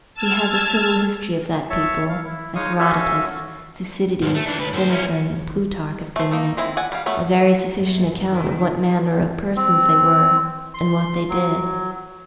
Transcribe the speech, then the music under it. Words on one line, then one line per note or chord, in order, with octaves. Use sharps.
We have the civil history of that people, as Herodotus, Thucydides, Xenophon, and Plutarch have given it; a very sufficient account of what manner of persons they were and what they did.
A5 E6 F6 G#6
C#5 E5 A5
F5
E4
G#3 D#4 C#5 F5 G#5 D#6
C#4 F#4 A4 E5 F5 G#5
B1 G#2
A3
E3 D4
C#2 B4
F#2 C5
C#4 E4
A3 C5
A#3 D#4 A4
G#3 C4 E4
D5 F#5 G#5
G3 F5
F#3 A3 B3
F#2
D#3
C4
C6
F#3